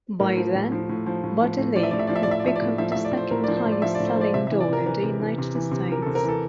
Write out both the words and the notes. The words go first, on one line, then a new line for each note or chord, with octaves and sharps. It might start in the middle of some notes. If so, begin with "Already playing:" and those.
By then, Buddy Lee had become the second-highest-selling doll in the United States.
A2 A#4
F3
A2
F3
A2
F3
A2
F3
A2
F3 D5
E5
A2 D5
E5
F3 D5
E5
D5
A2 E5
D5
F3 E5
D5
A2
F3 E5
A2 E5
D5
F3 C5
A2 A#4
F3 D5
C5
A2
D5
F3 E5
D5
A2
C5
F3
D5
C3 E5
E3 E5
D5
C3 A#4
E3 A#4
C3
E3
C3
E3
C3
E3 A#4
C3 A4
A#4
E3 A4